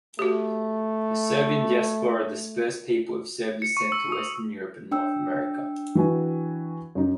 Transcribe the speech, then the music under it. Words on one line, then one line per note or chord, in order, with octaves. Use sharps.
A Serbian diaspora dispersed people of Serb descent to Western Europe and North America.
A3 F#4 G4
C#7
C#6
E6
D#6
D4 G5 E6
E3 F#4 G#5
F#2 D#4